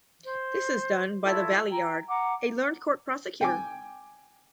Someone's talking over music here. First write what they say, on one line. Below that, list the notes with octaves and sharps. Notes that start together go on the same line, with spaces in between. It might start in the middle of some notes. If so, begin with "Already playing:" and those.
This is done by the Valeyard, a learned Court Prosecutor.
C5
E4 F4 A4 C#5
G5 A#5
F#5 A#5 D6
G5 G#5 D6